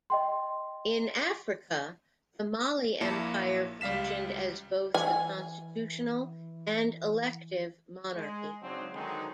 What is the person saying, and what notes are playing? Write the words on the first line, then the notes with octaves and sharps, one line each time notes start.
In Africa, the Mali Empire functioned as both a constitutional and elective monarchy.
D#5 G5 C6
A#1 A#2 A#3 E4 A5 C#7
C#2 G3 F5 B6 E7
E3 G#5
G#3
C#3 F#3 G#3 C4 D4 D#4
D3 D#3 F#3 G#3 C4 D#4